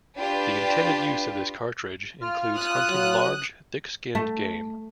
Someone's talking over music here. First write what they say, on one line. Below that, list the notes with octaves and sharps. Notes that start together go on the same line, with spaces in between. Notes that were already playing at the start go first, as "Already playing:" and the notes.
The intended use of this cartridge includes hunting large, thick-skinned game.
D4 F4 G4 B4
F4 F6
D#6 F#6
F#3
A3